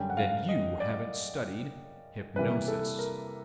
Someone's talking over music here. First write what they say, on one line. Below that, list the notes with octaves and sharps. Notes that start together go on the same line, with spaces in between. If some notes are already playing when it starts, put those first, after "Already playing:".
Then you haven't studied hypnosis.
Already playing: F#2 D3 G3 G5
F#5
F5
D#5
D5
C3 E3 G3 A#3 B4
A4
A#4